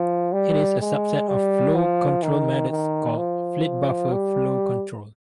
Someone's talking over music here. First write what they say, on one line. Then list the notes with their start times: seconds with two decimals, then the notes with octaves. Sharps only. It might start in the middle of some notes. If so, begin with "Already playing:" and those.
It is a subset of flow control methods called Flit-Buffer Flow Control.
Already playing: F3
0.33 G3
0.80 G#3
1.28 G3
1.75 F3
2.23 D#3
2.70 D#3
3.18 F3
4.12 G3